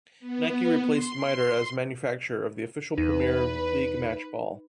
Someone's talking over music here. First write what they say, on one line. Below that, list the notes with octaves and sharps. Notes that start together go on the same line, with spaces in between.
Nike replaced Mitre as manufacturer of the official Premier League match ball.
B3
C6
E2 D#4 B4